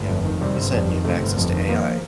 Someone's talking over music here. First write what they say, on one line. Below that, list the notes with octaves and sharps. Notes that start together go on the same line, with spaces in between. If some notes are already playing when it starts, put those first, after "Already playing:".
you know, like you said, you have access to AI.
Already playing: G1 A3
F2
D#3
C3 G3
G1
F2 G3
D#3
C3 A3
G1
F2
D#3
F3 A#3